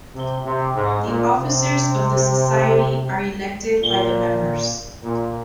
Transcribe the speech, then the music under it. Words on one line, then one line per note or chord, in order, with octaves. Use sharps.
The officers of the Society are elected by the members.
C3
C3
G#2
A#2
C3
A#2
A#2